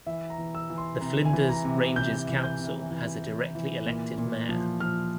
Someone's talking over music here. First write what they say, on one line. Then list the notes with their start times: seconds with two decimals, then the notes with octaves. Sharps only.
The Flinders Ranges Council has a directly-elected mayor.
0.06 E3 E5
0.30 A#5
0.38 E3
0.55 E6
0.70 E3
0.78 C6
1.01 C3 A#5
1.25 G#5
1.33 E3
1.49 A#5
1.64 C3
1.96 C3 G6
2.28 E3
2.43 G6
2.59 C3
2.91 E3
3.23 E3
3.55 E3
3.86 A#2
4.18 A#2
4.49 F3
4.80 F3 F6